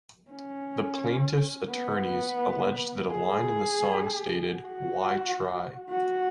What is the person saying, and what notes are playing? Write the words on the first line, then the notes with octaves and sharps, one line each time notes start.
The plaintiffs's attorneys alleged that a line in the song stated, Why try?
C#4
B3
G#4
F#4
F#4